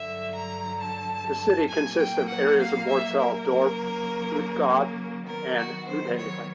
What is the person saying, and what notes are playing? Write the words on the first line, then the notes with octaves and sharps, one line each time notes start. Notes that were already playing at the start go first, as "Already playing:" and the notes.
The city consists of the areas Mortsel-Dorp, Oude-God and Luithagen.
Already playing: G2 D3 F#3 E5
A#5
A5
A#2 F#3 A#3 G#5
G5
F#5
F5
E5
A#4
C#3 F#3 A#3
D#3 F#3 B3 A#4
F#4
C5
C#5